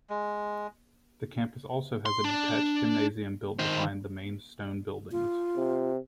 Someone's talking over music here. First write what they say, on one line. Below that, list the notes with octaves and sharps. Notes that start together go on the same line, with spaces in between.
The campus also has a detached gymnasium built behind the main stone buildings.
G#3
C6
D4
D#3 C5
F4
C3